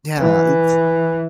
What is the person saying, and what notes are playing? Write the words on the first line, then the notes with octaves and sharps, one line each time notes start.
Yeah, it's
E3